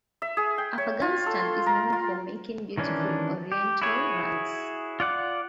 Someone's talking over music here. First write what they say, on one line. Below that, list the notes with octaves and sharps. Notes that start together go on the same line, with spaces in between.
Afghanistan is known for making beautiful oriental rugs.
E5
G#4
G5
C#5
F4
A4
C6
A#4
F4
D#3 E3 C#4 D4
G4
E4 F#4 G#4 C#5
F4 D5 F#5 D6